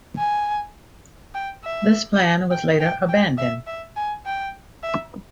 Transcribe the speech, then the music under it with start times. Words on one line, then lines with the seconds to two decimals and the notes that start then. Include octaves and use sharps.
This plan was later abandoned.
0.19 G#5
1.35 G5
1.64 E5
2.51 G5
2.80 G5
3.09 G5
3.38 E5
3.67 E5
3.96 G#5
4.25 G5
4.83 E5